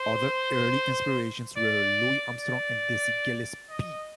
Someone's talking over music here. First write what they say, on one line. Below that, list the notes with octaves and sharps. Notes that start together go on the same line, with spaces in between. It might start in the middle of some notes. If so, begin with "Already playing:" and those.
Other early inspirations were Louis Armstrong and Dizzy Gillespie.
Already playing: C5
D5
D5
D#5